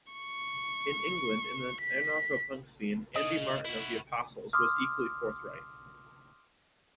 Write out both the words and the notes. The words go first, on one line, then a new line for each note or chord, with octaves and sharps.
In England, in the anarcho-punk scene, Andy Martin of The Apostles was equally forthright.
C#6
B6
C#3 D#5
E4 F#4
C6 D6 D#6 F6